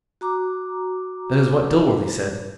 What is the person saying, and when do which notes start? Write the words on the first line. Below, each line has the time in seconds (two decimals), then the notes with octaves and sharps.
That is what Dilworthy said.
0.21 F#4 A#5 D6